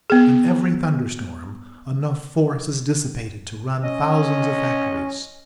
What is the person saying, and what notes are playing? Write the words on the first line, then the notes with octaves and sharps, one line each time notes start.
In every thunder-storm enough force is dissipated to run thousands of factories.
B3 G#4
C#4 D#5